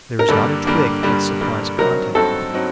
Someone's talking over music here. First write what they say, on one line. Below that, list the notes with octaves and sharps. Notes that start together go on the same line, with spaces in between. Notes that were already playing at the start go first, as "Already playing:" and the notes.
There is not a twig but supplies a contact-point.
A#4
G2 D3 G3 A#3 D4 A4
G2 D3 G3 A#3 D4
G2 D3 G3 A#3 D4
G2 D3 G3 A#3 D4
G2 F#3 C4 D#4 F#4 A#4
G2 F#3 C4 D#4 F#4 A4
F#3 C4 D#4 F#4